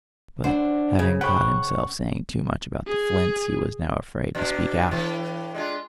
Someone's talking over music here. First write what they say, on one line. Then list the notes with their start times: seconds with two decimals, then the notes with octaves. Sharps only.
But having caught himself saying too much about the flints, he was now afraid to speak out.
0.44 D4 C5 F#5
0.99 C#3
1.21 B4 C5 F#5 G5 C#6
2.87 G#4
4.35 B2 D4
4.91 A2 E3 G4
5.55 G#3 D4 F4